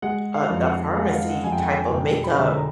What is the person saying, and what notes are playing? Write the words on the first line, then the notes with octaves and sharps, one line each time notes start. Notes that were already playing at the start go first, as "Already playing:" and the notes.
a a pharmacy type of makeup
G#3 F#5
F5
F2
F#5
G#3 F5
F#5
F5
F#5
F2 G#5
G5
F#5
E1 G5
B5
D3
A#5